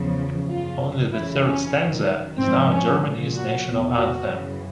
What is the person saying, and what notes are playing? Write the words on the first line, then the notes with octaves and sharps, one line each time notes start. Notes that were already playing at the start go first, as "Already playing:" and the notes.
Only the third stanza is now Germany's national anthem.
Already playing: E2 C#3 F3
F#2 C#3 F3 F4
F2 C#3 E3 E4
C#4
F#2 D#3
G#2 F3 C4
C#4
A#2 F3
F#4
E2 B2
F#4
F#2 C#3 E3